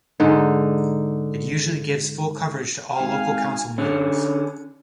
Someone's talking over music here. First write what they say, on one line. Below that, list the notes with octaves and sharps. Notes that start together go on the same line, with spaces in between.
It usually gives full coverage to all local council meetings.
G#2 D3 D#4
G#1 F5 G5 G#5
D3 C#4